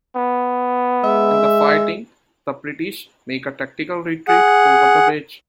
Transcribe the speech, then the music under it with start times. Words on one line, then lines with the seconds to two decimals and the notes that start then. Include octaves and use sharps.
In the fighting, the British make a tactical retreat over the bridge.
0.16 B3
1.04 G#3 E5
4.28 G#4 F#5